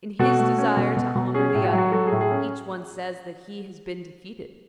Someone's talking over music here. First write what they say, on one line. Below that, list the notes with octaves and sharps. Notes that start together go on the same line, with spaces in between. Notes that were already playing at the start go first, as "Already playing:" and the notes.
In his desire to honour the other, each one says that he has been defeated.
B2 F#4 A4
A3
C#4
B2
B2
B2
C#4 G#4
G#4
A2
F#4
F#3
F#4
F#3 F#4 A4
G#4
A2
G#4
C#4